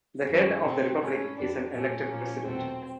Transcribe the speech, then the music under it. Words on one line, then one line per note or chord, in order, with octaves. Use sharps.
The head of the Republic is an elected President.
F#2 D#3 G3 A#3 C#4
B2 F#3 A3 C4
G#2 E3 A3 C#4
F2 D3 G3 D4
A#2 F3 A3 C#4
A#2 F3 A#3
E2 B2 F#3 A3 C4